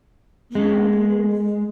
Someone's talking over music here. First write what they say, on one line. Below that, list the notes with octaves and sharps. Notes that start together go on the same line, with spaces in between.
Yeah, it is.
G#3